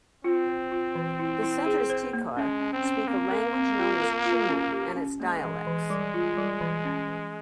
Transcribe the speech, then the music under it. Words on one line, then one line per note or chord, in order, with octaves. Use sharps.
The Centre's Tikar speak a language known as Tumu and its dialects.
C4 F4
C5
F4
E3
E4
E4
G#4
C5
A#3
G#3 C#4
C#4
C4
C#4
A#3 C4
A#4
C4
F4
A#4
F4
C#4
G4
C#4
G#3 A#3
E3
E3
G3
F4
G3
E3
C#4
E3